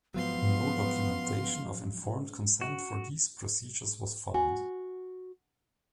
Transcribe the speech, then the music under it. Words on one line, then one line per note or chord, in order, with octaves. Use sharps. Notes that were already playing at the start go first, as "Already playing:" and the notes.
No documentation of informed consent for these procedures was found.
G#2 F3 F#3 B3 F5 C6
F#4
F#4 G#5